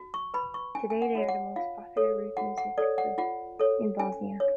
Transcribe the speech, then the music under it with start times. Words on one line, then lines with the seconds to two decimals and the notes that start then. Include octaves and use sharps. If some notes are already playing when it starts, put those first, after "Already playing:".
Today they are the most popular root music group in Bosnia.
Already playing: F#4
0.14 C#6
0.34 B4 B5
0.54 C#6
0.75 C#4 G#5
0.90 G#5
1.02 F#5
1.15 F#4 C#5
1.28 F#5
1.56 F4 F5
1.97 A4 C#5
2.37 F#4 F#5
2.58 F#5
2.78 A4 C#5 D5
2.98 F#5
3.18 F4 F#5
3.59 A4 C#5
3.99 C#4 G#5
4.40 C#5